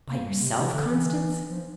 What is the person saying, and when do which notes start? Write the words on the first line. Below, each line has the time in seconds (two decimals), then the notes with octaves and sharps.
"By yourself, Constance?"
0.10 A#3
0.26 G3
0.41 C3
0.49 A#2
0.56 C3
0.73 D3
0.87 E3
1.50 F3